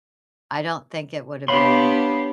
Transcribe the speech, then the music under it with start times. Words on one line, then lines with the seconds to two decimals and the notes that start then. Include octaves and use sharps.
I don't think it would've been,
1.48 B3 D4 G4 C#5 F5 B5 C6